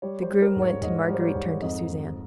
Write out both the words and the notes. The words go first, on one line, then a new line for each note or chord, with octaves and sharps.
The groom went, and Marguerite turned to Suzanne.
G3 C#5
C5
G3
A#4
G#2
C#5
G#2 D#5
G3
C5
C#5
G#2
F2 D#5
F2